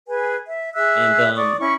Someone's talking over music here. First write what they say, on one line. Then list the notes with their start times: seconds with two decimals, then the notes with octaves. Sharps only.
And um
0.08 G#4 B4 G#5
0.47 E5
0.74 G#4 E5 E6 F#6
1.37 D5 C#6 D#6
1.60 C#4 E4 C#6